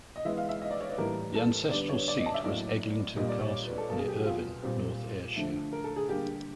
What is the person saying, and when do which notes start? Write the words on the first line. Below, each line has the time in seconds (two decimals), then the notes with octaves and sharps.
The ancestral seat was Eglinton Castle, near Irvine, North Ayrshire.
0.16 D#5
0.25 E3 G#3 B3 E5
0.37 F5
0.49 E5
0.62 D#5
0.71 D5
0.80 C#5
0.89 B4
0.98 A2 E3 G3 A#3 A#4
1.35 A4
1.71 D3 G3 B3 D5
1.89 C#5
2.08 D5
2.17 D#5
2.26 A5
2.34 E5
2.44 A2 F#3 A#3 D5
3.16 A#2 G3 A#3 D#5
3.29 D5
3.41 C#5
3.65 B4
3.78 A4
3.89 B2 F#3 A#3 A4
3.98 G#4
4.08 G4
4.17 F#4
4.26 F4
4.62 A#2 G3 C4
5.36 D3 F3 A3
5.72 A#4
5.84 A4
5.96 G#4
6.08 D3 G3 A#3 G4